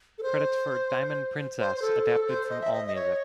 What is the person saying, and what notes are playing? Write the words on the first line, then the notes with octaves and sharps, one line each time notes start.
Credits for "Diamond Princess" adapted from Allmusic.
A4
C5
C5
C5
A4
A4
C5
D#5
E5
D#5
D#5
C#5